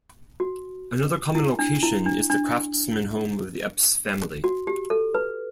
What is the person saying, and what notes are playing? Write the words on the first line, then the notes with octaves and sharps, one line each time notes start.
Another common location is the Craftsman home of the Eppes family.
F#4
E4
D4
E4
D4
D4
F#4
G4
A4
B4